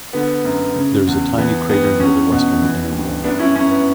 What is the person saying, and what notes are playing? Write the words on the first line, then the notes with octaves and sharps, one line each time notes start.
There is a tiny crater near the western inner wall.
D3 B3
F#2
C#3
E2
E3 B3
G2 B3
E2 C#4
B2
E3
G2
F#2 B3 D4
C#4 E4
F#2 C#4
B3